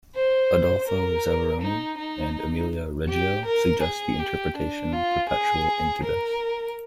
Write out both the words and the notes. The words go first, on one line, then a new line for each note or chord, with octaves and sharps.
Adolfo Zavaroni and Emilia Reggio suggest the interpretation Perpetual-incubus.
C5
A#4
D#4
D#4
G4
A#4
G#4
G4
D4
F4
G#4
A#4